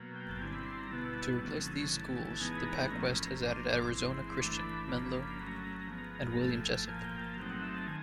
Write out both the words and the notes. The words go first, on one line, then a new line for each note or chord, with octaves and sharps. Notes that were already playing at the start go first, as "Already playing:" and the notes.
To replace these schools, the PacWest has added Arizona Christian, Menlo and William Jessup.
Already playing: B2 F#3 A#3
G5
A5
D3 G3 C4 E4 G#5
B5
C6
A5
A#5
B2 G3 B3 E4 A5
C3 D#3 F#3 A3 C#4
C#3 E3 A3
E3 G#3 B3 D#4 G#5
B5
A#5
A#2 F3 A3 C#4 A#5
B5
A#5
A2 F3 A#3 D4 C6
E3 G#3 C4 E4
E3 A3 D4 B5
C#3 F3 A#3 D4
F#3 A3 C#4 A#5
F3 G#3 B3
A2 F3 A3 A5
G#5
G#5
A5
A#2 F3 A#3 G#5
G5
A5
F#3 A3 C4 D#4 G5
F#5
E5
A5
D#3 G#5